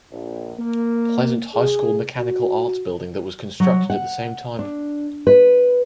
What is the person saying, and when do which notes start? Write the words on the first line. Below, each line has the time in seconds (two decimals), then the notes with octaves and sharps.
Pleasant High School Mechanical Arts Building that was constructed at the same time.
0.11 A#1
0.58 A#3
1.54 G#4
2.17 F#4
3.60 F#3
3.90 F#5
4.59 D4
5.27 B4